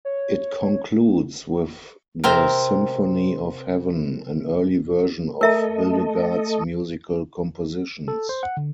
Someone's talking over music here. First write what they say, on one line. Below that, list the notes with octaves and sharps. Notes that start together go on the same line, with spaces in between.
It concludes with the Symphony of Heaven, an early version of Hildegard's musical compositions.
C#5
C3 C4 A#4
A3 A4 A#4 D#5 E5 A#5
A4
C5
F#5
D3